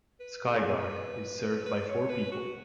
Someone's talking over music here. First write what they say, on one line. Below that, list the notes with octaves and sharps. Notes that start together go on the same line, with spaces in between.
Skyguard is served by four people.
B4
G#4
B4
B4
C#5
B4
F#4